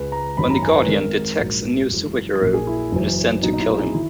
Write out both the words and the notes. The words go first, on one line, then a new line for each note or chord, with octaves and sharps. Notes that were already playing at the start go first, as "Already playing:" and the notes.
When the Guardian detects a new superhero, it is sent to kill him.
Already playing: C#2 C#3 G#3 B4
A#5
G#1 F#2 D#3 F#3 B5
A#5
G#5
B4
G#1 G#2 D#3 G#3 A#4
A#1 G#2 F#3
F#1 F#2 E3 G#3
A#1 A#2 F#3 A#4
G#4
E4
F#1 F#2 E3
B1 A#2 F#3 D#4
D#4
E4
G#4
D#3 E4